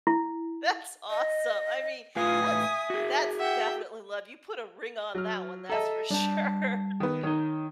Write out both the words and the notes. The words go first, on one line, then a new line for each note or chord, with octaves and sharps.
That's awesome. I mean that's that's definitely love, you put a ring on that one, that's for sure.
E4
D#5
A2 F4 B4 F5 G#5 D#6
E5
F#4 G#4
E5 F#5 G5
F#3 F6
A4 D#5 E5 A5 A#5
G3 D4 A5
D#3 B3
D#3 D#4 C#5